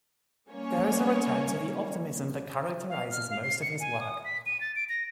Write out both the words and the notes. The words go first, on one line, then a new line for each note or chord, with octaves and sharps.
There is a return to the optimism that characterises most of his work.
G3 A#3 C#4 C#5
F5
F6
F5
C7
C#7
G#5
D#6
B6
D#7
A6
D7
A#6